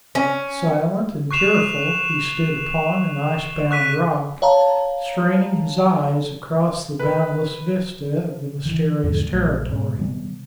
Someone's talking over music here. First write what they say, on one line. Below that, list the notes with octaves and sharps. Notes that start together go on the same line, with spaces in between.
Silent and tearful, he stood upon an ice-bound rock, straining his eyes across the boundless vista of the mysterious territory.
C#4
C#6 F#6 C7 E7 F7
C#6 F#6 B6 D#7
C#5 F5 A5 A#5
B4
D#3 E3
E2 G#2 D3 F3
A#1 A3
G#2 B2
C3 D#3 G3 B3